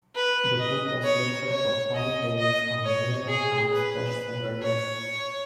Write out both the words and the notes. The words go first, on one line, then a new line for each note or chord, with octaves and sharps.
The book was listed for five weeks on the "New York Times Bestseller List".
B4
D#5
C#5
C#5
D#5
D#5
C#5
G#4
B4
C#5